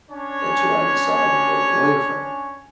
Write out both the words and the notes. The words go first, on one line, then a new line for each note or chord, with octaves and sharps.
until I decide to break away from it.
C#4 D4 C#5 G#5